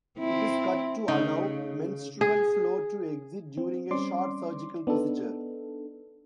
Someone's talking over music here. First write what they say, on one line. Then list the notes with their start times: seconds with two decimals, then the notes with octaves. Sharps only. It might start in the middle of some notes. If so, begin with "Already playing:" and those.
It is cut to allow menstrual flow to exit during a short surgical procedure.
0.20 C4 E4
1.08 C#3 A3 D#4
2.21 G#4
3.58 C4
3.91 G3 C4 C#4 D5 C6 D6
4.87 B3 D4 D#4 A4